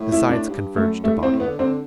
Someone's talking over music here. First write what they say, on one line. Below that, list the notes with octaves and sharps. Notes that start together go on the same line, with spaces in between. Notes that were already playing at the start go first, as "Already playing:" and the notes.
The sides converged to bottom.
Already playing: A2
E4
D4
G2
F#2 A3
G2 A3
A2
C4
A2
B3
D3
D3 C4